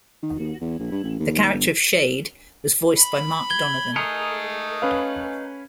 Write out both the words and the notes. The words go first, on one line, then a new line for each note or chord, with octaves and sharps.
The character of Shayde was voiced by Mark Donovan.
D#3
D#2
E2
A#1
G2
A1
D#2
G1
B5
G#6 G7
A3 D#4 G#4 A#4 C#7
C#4 B4 F5